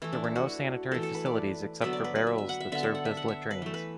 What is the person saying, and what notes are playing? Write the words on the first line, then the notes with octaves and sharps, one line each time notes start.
There were no sanitary facilities except for barrels that served as latrines.
E3 A3 E4
D4
E4
F#4
E3 A3 A4
A4
B4
D5
D3 F#3 B3 E5
D5
B4
B4
E5
E5
F#5
E5
D3 B3 E5
A4
F#5
E5
F#5
E5
B4
E3 A3
B4